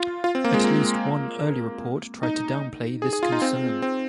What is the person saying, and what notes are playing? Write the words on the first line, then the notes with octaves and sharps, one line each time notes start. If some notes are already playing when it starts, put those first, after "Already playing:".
At least one early report tried to downplay this concern.
Already playing: F4
F4
C4
A#3
G#3
A#3
D#4
G#4
G#4
F4
D#4
C4
C4